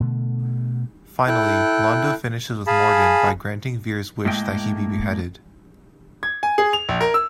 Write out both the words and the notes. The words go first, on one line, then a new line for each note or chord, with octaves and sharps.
Finally, Londo finishes with Morden by granting Vir's wish that he be beheaded.
B2 D3 A3
E4 A4 G5 F#6
G#4 F5 G#5 A5 B5
A2 G#3 A#3 G5
G#6
G#5
G#4
F7
A#1
A#4
E6